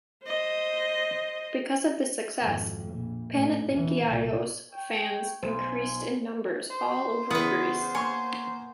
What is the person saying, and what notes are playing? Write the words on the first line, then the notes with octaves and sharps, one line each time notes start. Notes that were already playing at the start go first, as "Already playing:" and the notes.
Because of this success, Panathinaikos fans increased in numbers all over Greece.
C5 D#5
G#1 F2
A#1
A2
E2 E3
C2 A#2
C#5 G5
B1 F4 C5 G#5 C6
C5
E2 C#3 B3 E4 B4 D#6
A#3 C#5 G#5 C6 C#6